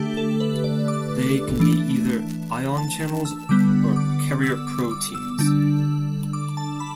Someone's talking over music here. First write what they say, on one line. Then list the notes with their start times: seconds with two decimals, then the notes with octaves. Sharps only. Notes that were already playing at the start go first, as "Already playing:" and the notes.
They can be either ion channels or carrier proteins.
Already playing: D3 A3 D4 G4
0.17 A4
0.40 B4
0.64 D5
0.88 D6
1.59 E3 A3 D4
2.78 A5
3.25 E6
3.49 D3 G3 B3 D6
3.96 D6
4.20 D6
4.43 E6
4.67 D6
4.91 D6
5.15 E6
5.39 D3 G3 D4
6.33 D6
6.57 A5
6.80 B5